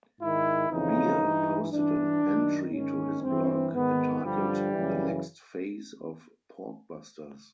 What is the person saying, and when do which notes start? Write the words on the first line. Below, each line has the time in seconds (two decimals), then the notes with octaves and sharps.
Bear posted an entry to his blog entitled The Next Phase of Porkbusters.
0.20 G#2 D#3 E4
0.70 F2 C#3 E3 D#4
1.20 G2 E3
1.71 G2 E3 D4
2.22 F#2 D#3
2.71 G#2 D#3 C#4
3.21 G2 E3 C4
3.73 G#2 D#3 B3
4.22 G2 D3 F3 G3
4.73 F#2 C#3 E3